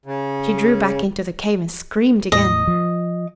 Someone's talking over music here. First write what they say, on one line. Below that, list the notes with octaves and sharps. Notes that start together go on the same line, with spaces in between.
She drew back into the cave and screamed again.
C#3
E2 A2 D#5
F3